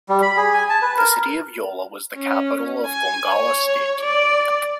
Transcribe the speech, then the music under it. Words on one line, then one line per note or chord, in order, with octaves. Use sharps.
The city of Yola was the capital of Gongola State.
G3
B5
G#4
G#5
A5
B4
A#4
C#4
G#5
C#5
D5